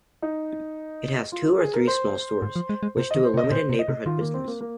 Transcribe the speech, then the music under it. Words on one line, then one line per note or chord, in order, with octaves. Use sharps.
It has two or three small stores, which do a limited neighborhood business.
D#4
F4
F4
G#4
A#4
C5
G#2
F3
G#3
G#3
C3 C5
D#3 D#5
C5
C3
D#5
C3
A#2 C5
C3
D#5
C3
D#3 F4
A#3
C4
A#3
A#3